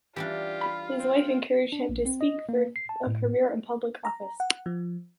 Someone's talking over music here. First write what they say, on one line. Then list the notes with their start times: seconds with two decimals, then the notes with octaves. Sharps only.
His wife encouraged him to seek for a career in public office.
0.16 E3 G3 D4 F4 G4
0.61 B5
1.00 C4
1.72 D4
1.89 A#1
2.05 C4
2.21 D#5
2.49 A#3
2.76 C7
2.89 A5
3.07 A2
4.05 A#5
4.40 F#5
4.66 F3